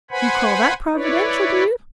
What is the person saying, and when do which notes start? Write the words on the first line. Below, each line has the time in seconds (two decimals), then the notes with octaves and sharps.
You call that providential, do you?
0.11 B4 C5 F#5 G#5 B5
0.94 E4 B4 C#5 D5